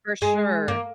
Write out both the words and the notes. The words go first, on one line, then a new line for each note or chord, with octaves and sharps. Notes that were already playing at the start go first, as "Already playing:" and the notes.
For sure.
G#3
A#3